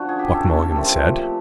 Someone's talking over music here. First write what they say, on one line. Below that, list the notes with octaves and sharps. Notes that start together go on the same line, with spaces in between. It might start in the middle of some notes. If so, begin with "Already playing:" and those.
Buck Mulligan said.
Already playing: D3 F3 C#4 F#4
G#4
G4
A4
A4
G4
A#2 F3 A3 C4